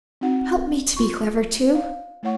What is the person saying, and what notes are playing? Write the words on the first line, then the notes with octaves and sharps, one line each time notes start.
Help me to be clever too.'
C4 D#4 F#4 F#5
F4 C6 C#6
F5
A3 E4 C#5 F#5 C#6